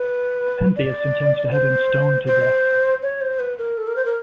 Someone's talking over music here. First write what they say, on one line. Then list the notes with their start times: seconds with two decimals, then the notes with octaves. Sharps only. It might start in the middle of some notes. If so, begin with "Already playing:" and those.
Pentheus intends to have him stoned to death.
Already playing: B4
0.76 D5
1.51 C5
2.27 C5
3.03 C#5
3.21 C5
3.40 B4
3.58 A#4
3.78 A4
3.87 A#4
3.96 C5
4.05 A#4